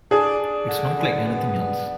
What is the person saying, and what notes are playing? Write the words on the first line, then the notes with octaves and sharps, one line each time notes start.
It's not like anything else.
D4 G#4
D4
D3
F#2
B3
D4